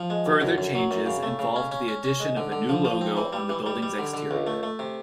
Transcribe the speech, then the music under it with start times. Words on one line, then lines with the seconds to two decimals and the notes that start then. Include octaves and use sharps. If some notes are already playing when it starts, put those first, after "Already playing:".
Further changes involved the addition of a new logo on the building's exterior.
Already playing: F3
0.10 G#3
0.26 D2
0.41 F#2
0.58 F#2
0.75 F#3
0.91 F#2
1.06 C#3
1.23 A3
1.39 C#3
1.56 C#4
1.72 C#4
1.88 C#4
2.04 C#4
2.20 G#3
2.37 D3
2.52 D3
2.69 F3
2.85 F3
3.01 C4
3.17 E3
3.33 G3
3.49 E3
3.66 G3
3.82 G3
3.99 D3
4.14 D3
4.31 C#2
4.47 A3
4.63 A3
4.79 C3